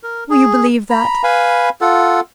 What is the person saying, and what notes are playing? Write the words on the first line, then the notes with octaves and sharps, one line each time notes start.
Will you believe that?
A#4
G#4
A#5 B5
B4 F5 G#5 B5
F4 A4 F#5